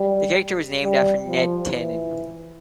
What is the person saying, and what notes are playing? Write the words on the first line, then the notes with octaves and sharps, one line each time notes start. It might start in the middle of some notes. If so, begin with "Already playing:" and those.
The character was named after Ned Tanen.
Already playing: G3
G3
F3
E3